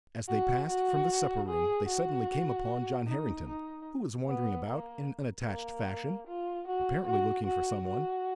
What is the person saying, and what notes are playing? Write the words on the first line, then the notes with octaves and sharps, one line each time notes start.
As they passed from the supper-room they suddenly came upon John Harrington, who was wandering about in an unattached fashion, apparently looking for some one.
F#4
F#4
G#4
F#4
D#4
D#4
B3
A#3
A#3
F4
F#4
F#4
F#4
F#4